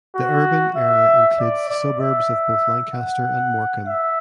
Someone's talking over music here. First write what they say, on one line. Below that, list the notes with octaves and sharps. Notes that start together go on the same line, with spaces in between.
The urban area includes the suburbs of both Lancaster and Morecambe.
F#4
E5
D5
D5
E5
F#5
E5